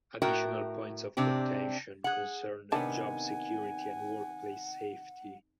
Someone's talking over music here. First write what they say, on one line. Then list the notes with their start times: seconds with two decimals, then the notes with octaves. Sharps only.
Additional points of contention concerned job security and workplace safety.
0.22 A2 F#4 A#4 E5 G5
1.17 C3 C4 D4 G4
2.04 G#4 F#5
2.72 C3 D#3 B3 D4 C#5 F#5 G#5 A5